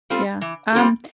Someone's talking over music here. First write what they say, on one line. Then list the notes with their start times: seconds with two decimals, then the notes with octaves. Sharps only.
Yeah, um,
0.10 G3 C4 F4 A4
0.41 E3
0.73 G3 C4 F4 A4